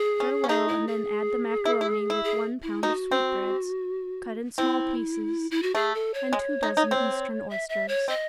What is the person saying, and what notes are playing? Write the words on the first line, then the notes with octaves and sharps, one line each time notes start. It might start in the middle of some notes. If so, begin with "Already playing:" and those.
Stir well and then add the macaroni with one pound of sweetbreads, cut in small pieces and two dozen Eastern oysters.
Already playing: G#4
C#4
C#4
D#4 G#4
E4
G#4
E4
E4
E4
G#4
E4
D#4 F#4
C4
C4 E4
E4
F#4
A3 G#4
A4
C#5
G#3
D#4
D#4
C4
E5
E5
C#5
C4 D#5